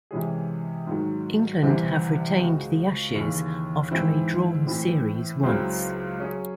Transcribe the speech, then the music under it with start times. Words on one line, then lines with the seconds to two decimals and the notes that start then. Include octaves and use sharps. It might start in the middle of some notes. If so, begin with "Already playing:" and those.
England have retained the Ashes after a drawn series once.
0.11 C3 E3 G#3 C#4 G#4
0.87 G#2 D#3 F#3
1.62 C2 C3 E3 C4
2.38 C#2 C#3 G#3 C4 F#4
3.15 D#2 C#3 E3
3.91 G#2 E3 C4 E4
4.67 A2 E3 C4 E4
5.43 C#2 C#3 F#3 C4 E4
6.19 F#3 C#4 G#4